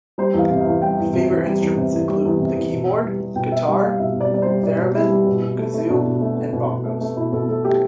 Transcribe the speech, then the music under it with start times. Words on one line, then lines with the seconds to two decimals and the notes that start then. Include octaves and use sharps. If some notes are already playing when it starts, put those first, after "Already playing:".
Favourite instruments include the keyboard, guitar, theremin, kazoo and bongos.
0.18 G3 C5
0.34 E2
0.39 F5
0.51 C3
0.61 E2 F5
0.82 G3 G5
0.98 E2
1.13 C3
1.30 E2
1.46 G3
1.62 E2
1.77 C3
1.92 E2
2.09 G3
2.25 E2
2.40 C3
2.56 E2
2.72 B2
2.89 B2
3.04 G3
3.20 G3
3.36 B2 G5
3.52 B2 E5
3.68 G3
3.84 G3 F5
4.00 B2 E5
4.16 B2 D5
4.31 G3 D5
4.42 G3 C5
4.63 B2 D5
4.78 B2
4.94 G3 E4
5.10 G3
5.27 B2
5.42 B2
5.58 A3
5.74 A3
5.90 B2 D4
6.06 B2
6.22 A3
6.37 A3
6.53 B2
6.69 B2
6.86 A3
7.01 A3
7.17 B2 E4
7.32 B2 A4
7.48 A3 A4
7.65 A3 G4